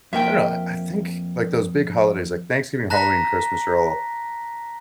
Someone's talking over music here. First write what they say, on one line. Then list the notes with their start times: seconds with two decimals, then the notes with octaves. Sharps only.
I don't know, I think, like, those big holidays, like, Thanksgiving, Halloween, Christmas are all
0.13 F2 A#3 E5 G5
2.90 A5 A#5 F#6 A#6 B6